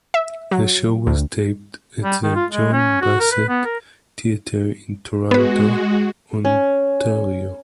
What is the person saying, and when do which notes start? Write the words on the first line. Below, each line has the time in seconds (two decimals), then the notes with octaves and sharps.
The show was taped at the John Bassett Theatre in Toronto, Ontario.
0.14 E5
0.51 F#3
1.07 D2
2.04 G3
2.23 D#3
2.35 F4
2.51 G#3
2.72 C#4
3.01 F#4
3.20 A#4
3.31 B4
3.48 B3
3.65 A#4
5.31 G#3 B3 F#4 B4
6.45 C#4